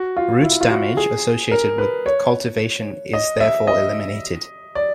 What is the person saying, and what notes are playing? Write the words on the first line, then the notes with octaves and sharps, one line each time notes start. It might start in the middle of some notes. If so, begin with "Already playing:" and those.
Root damage associated with cultivation is therefore eliminated.
Already playing: F#4
F4
E4
F4
F#4
G#4
A#4
B4
C#5
D#5
E5
D#5
D5